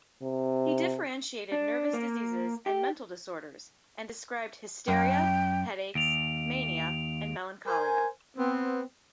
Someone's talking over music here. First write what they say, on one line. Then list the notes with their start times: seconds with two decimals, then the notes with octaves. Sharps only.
He differentiated nervous diseases and mental disorders and described hysteria, headaches, mania and melancholia.
0.22 C3
1.52 D4
1.93 A#3
2.66 G4
4.88 F#2 G5
5.95 D#2 D7 F7
7.66 A#4 C5 G#5
8.35 B3 C4